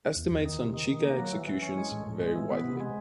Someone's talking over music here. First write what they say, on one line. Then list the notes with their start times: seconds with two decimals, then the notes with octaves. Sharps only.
Estimates on Cheka executions vary widely.
0.16 E2
0.31 E2
0.46 D#3
0.59 C3
0.74 D#3
0.89 D#3
1.03 A#3
1.18 F#3
1.33 E3
1.47 E3
1.62 C#4
1.78 G#3
1.91 A2
2.06 A2
2.22 G#3
2.36 E3
2.51 B3
2.65 C3
2.80 G#3